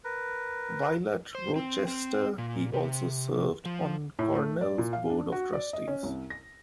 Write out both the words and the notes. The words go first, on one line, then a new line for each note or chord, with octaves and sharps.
While at Rochester, he also served on Cornell's Board of Trustees.
A#4 B4
C5
C4
C4
A#2
C3
F3
A2
A3
D5
A#2
F5
D4
F#4
D5
D#5
C#4
C2
A#6